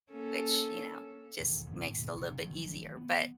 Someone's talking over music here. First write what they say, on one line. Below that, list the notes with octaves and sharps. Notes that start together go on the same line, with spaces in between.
which, you know, just makes it a little bit easier, but,
A#3 C#4 A4
E1 D#2 G#2
D#2 A#2 D3 C4
G#2 B2 D#3
F#1 C3
A1 D#3 F3 F#3
B3